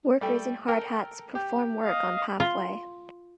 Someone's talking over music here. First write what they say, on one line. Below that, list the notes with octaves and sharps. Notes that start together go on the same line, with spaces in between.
Workers in hard hats perform work on pathway.
G3 A3 G5
A4 A#4 G5
G4
D#5 F5
F4